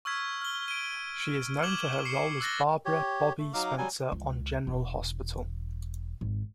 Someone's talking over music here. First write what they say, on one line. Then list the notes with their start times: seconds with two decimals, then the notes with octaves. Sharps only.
She is known for her role as Barbara "Bobbie" Spencer on "General Hospital".
0.05 C#6 E6 F6 G#6 B6
0.42 F6 G7
0.68 D7 D#7
1.63 D6 F6 G#6 E7 F#7 G7
2.05 C7 C#7
2.41 E6 F#6 A6 A#6 G7
2.85 G4 C#5
3.39 A3
3.53 F#3 D#4 F5 D6
3.78 F#3 G3 G#5
4.12 C#2
4.67 E1
6.21 G#1